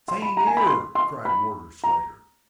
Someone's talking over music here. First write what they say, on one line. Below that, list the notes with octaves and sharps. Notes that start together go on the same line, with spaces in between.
"Same 'ere!" cried Warder Slater.
C6
B5
A#5
G#5
B5
C6
C6
B5
A#5